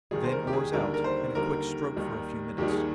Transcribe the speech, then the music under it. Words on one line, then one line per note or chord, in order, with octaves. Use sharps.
Then oars out, and a quick stroke for a few minutes.
D#2 D#3 G3 G#4
C5
A#4
G4
G#4
D#2 D3 G3 A#4
A#4
C5
D#2 D3 G3 A#4
D#2 D#3 G3
D#2 D#3 G3 G4
G#4